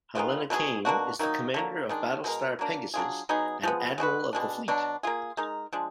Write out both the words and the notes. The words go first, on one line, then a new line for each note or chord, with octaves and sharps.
Helena Cain is the commander of Battlestar "Pegasus" and Admiral of the fleet.
D#3 G#3 B3 F4
B2 F#3 D4 G#4
B2 A#3 D4 F#4
D#3 F#3 A#3 D#4
D3 F#3 A#3
D#3 G#3 D4
B2 G#3 D#4 A#4
F#3 A#3 D4
F#3 D4 F4 G#4
F#3 B3 D#4 G#4
F3 G#3 B3
G#3 D4 F#4 B4
B2 G#3 D4
B2 F#3 D4
A#3 F4 G#4
G#3 D#4 A#4
F3 G#3 D4